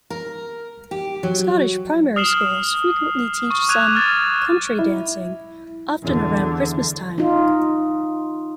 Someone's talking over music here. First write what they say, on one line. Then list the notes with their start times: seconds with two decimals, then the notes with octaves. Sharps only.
Scottish primary schools frequently teach some "country dancing", often around Christmas time.
0.10 A#4
0.91 G4
1.23 F#3
2.16 D#6 F6 C7 E7 F#7
3.50 C#6
3.68 C#6 D6 F#6 G#6 D#7 F7
3.95 F6 G#6 A6
4.79 E4
6.03 E2 D3
7.18 D#4 F4